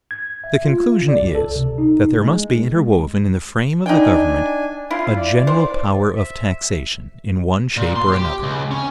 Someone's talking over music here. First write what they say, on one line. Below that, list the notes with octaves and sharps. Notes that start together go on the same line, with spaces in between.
The conclusion is, that there must be interwoven, in the frame of the government, a general power of taxation, in one shape or another.
G#6
E5
F4
D5
C#2
A4
C3
D#4
G#3
D4 D#4 G5 G#5
E4 F4
D5
C5
E5
A#2
C6
G4
C#2
C#4